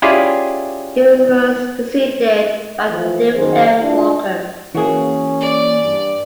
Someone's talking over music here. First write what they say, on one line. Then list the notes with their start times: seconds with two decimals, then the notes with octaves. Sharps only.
He was preceded by David M. Walker.
0.02 C#4 E4 F4 G4 G#4 D5
2.90 E3 F3 A3
3.36 F#2 D#3 G#4 C5
3.80 D4 E4 F4
4.75 E3 A#3 C#4 F#4 G#4
5.41 D5
5.83 G2